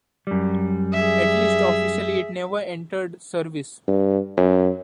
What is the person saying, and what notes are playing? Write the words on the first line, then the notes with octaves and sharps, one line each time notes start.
At least officially it never entered service.
F#2 G3
G#4 E5
G2
F#2